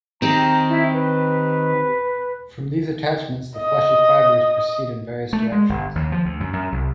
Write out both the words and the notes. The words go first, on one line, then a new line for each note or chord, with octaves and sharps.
From these attachments the fleshy fibers proceed in various directions.
D#3 C4 G4 A#5
E4
B4
D#5
A3
G#3
G1
D#2
F3
D2
F#2
F#2
C2